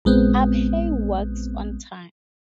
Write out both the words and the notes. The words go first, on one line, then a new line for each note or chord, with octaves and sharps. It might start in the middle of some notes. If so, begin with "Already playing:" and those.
Abhay works on time.
A#1 G#3 B3 C4